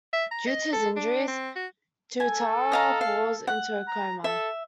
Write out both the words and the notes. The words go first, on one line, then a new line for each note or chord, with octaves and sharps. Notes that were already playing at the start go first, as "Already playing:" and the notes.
Due to his injuries, Tuatara falls into a coma.
E5
A#5
D#5
A4
D4
C4
F#4
A4 G#5
D#5 F5 A#5
F5
F#5
A#5
A4 E5